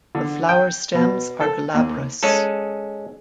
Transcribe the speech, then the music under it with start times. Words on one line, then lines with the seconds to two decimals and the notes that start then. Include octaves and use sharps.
The flower stems are glabrous.
0.15 D3
0.49 G5
0.94 B2
1.41 A4
1.74 D#2
2.23 G#3 C#4 G#4 A4